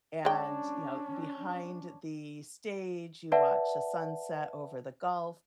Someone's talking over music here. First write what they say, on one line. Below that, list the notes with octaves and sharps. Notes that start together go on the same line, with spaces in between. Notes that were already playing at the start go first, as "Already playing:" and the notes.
And, you know, behind the stage, you watch the sunset over the Gulf,
G#3 C#4 D4 C#5 D5 G5 A5
B4 D5 E5 F#5 A5